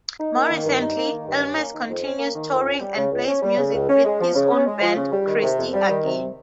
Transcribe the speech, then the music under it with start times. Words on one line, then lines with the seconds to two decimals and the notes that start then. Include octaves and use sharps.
More recently, Elmes continues touring and plays music with his own band, Christie Again.
0.19 D#4
0.34 A#3
0.49 D#3
0.65 G2
0.81 D#4
0.96 A#3
1.12 D#3
1.26 G2
1.42 C#4
1.58 A#3
1.73 D#3
1.89 F2
2.04 C#4
2.19 A#3
2.35 D#3
2.51 F2
2.65 C#4
2.81 G3
2.96 C#3
3.12 C#2
3.27 C#4
3.42 G3
3.58 C#3
3.74 C#2
3.89 C#4
4.05 G#3
4.20 F3
4.35 C#3
4.51 C#4
4.66 G#3
4.81 F3
4.96 C#3
5.12 G3
5.27 D#3
5.42 C3
5.58 F2
5.74 G3
5.89 D#3
6.04 C3